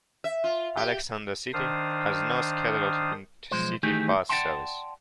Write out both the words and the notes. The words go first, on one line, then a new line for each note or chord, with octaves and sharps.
Alexander City has no scheduled intercity bus service.
E5
F4
G4
D#3 D4 C5 F5 D#6
B1 F2 F3 G#3 C5
D#3 E3 A3 D#4 G4 G#4
D5 E5 F#5 G5 A5 C6